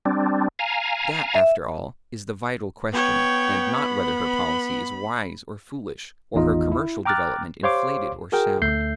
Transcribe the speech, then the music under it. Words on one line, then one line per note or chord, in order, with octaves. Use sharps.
That, after all, is the vital question, and not whether her policy is wise or foolish, or her commercial development inflated or sound.
G3 C4 D4
F5 G#5 A#5
E5
B3 C#5 G5
B5
G#1 E2 D#4 F4 D#5
E4
G5 A#5 D6 F6 F#6 A6
G4 C5 C#5 F5 C6 D6
F#4 G#4 A#4 G5
D2 A3 E5 G6 C7